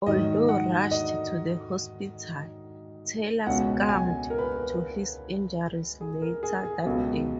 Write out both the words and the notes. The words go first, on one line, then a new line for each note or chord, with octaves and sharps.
Although rushed to the hospital, Taylor succumbed to his injuries later that day.
G#2 D#3 F#3 D#5
F#5
D#5
C#2 B2 G#3 C#4 F#5
G#5
A#4
B4
A#4
G#4
A#4
G#4
G#4
C#2 B2 F#3 B3